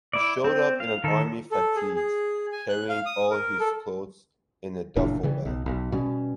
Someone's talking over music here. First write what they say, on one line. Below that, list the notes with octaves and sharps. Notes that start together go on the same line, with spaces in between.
He showed up in army fatigues carrying all his clothes in a duffel bag.
E4 D5
C4
F5
D#3 A4
A4
G#4
G#4
G#5
F#6
F5
D#6
A#4
A4
F#1 A#2 E3 D4
C#3 E3 G3
B1
B1
B2 G3 C#4